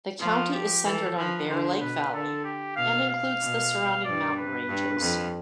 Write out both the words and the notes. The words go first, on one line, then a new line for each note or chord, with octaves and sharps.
The county is centered on Bear Lake Valley and includes the surrounding mountain ranges.
F3 F4
G4
E3 A4
F3 B4
D3 C5
B2 B4
D3 A4
G4
B2 F5
F5
B2
G2 D5
B4
G2
F2